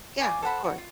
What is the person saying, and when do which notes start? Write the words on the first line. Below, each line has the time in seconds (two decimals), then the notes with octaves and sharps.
Yeah, of course.
0.20 F4 D5 G#5 C#6
0.42 A4 C5 F#5 B5
0.64 F#4
0.78 F4